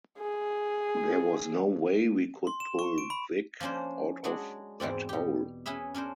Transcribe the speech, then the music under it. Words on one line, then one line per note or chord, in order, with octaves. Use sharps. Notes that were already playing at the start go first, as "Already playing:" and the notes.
There was no way we could pull Vik out of that hole.
G#4
C6
E7
C#6
D7
B5
F3 A#3 C#4 D4 C5
F#3 G#3 D4 F#4 G#4
E2 G#2 C4 D5
B2 G4
C#4 E4 G#4 B4 E5
C#4 D4 A#4 C5